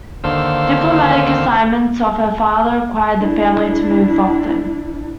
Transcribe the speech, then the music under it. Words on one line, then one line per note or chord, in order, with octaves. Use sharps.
Diplomatic assignments of her father required the family to move often.
D#2 D3 C5 F5 E6
D4 E4